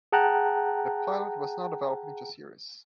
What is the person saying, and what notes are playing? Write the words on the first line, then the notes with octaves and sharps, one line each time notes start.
The pilot was not developed into a series.
G#4 F#5 G5 A5 A#5 F#6